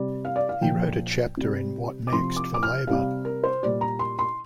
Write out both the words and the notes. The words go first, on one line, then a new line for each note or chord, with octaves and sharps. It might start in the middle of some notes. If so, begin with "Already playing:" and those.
He wrote a chapter in What Next for Labour?
Already playing: C3 G3 D5
F5
D5
F5
A#2 F3 G5
C3 G3
D6
C3 F3 C6
D6
D6
F6
C3 G3 F5
A#4
C5
A#2 G3 D5
A#5
C6
C6